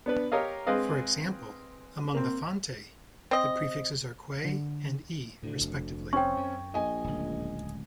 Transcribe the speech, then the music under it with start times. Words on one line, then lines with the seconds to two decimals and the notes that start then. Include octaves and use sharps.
For example, among the Fante, the prefixes are "kwe-" and "e-", respectively.
0.06 B3 D4 B4
0.32 G4 A#4 C#5 D#5 F5
0.67 G#3 C4 G#4 B4 D#5 F5
2.15 A#3 C4
3.31 C4 D#5
4.45 D3
5.43 D2 A2 D3
5.60 F1
6.13 C4 C#4 G5 C#6
6.37 F#2
6.74 A#1 D#5 G#5
7.04 D1 C#2